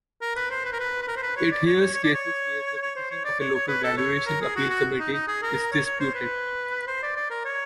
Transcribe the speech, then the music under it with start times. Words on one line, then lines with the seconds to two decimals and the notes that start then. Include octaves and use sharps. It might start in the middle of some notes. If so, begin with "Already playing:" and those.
It hears cases where the decision of a local Valuation Appeal Committee is disputed.
0.21 A#4
0.36 B4
0.51 C5
0.65 B4
0.73 A#4
0.80 B4
1.02 B4
1.08 A#4
1.17 C5
1.23 B4
1.37 C#5
1.52 D5
1.66 C#5
1.81 C#5
1.94 C#5
2.04 D5
2.14 C#5
2.82 C#5
2.96 C5
3.11 C#5
3.25 D5
3.40 C#5
3.55 C#5
3.68 B4
3.84 A4
3.98 C#5
4.27 A#4
4.42 G#4
4.56 F#4
4.70 F#4
4.99 D#4
5.13 D#4
5.28 G#4
5.42 A#4
5.72 C#5
5.86 C#5
6.00 C5
6.15 B4
6.87 C5
7.03 D5
7.16 D5
7.31 A#4
7.45 C#5